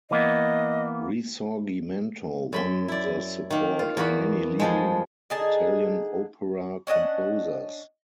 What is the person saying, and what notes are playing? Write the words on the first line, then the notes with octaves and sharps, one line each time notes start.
Risorgimento won the support of many leading Italian opera composers.
E3 A#3 B3 D#5
F#2 B5 C6
E4 D5
D#3 A#3
F4
E2 A#3 F#4 B5
F2 F3 G#3
D3 D#4 G#4 A5
C#4 D4 D#5 F#5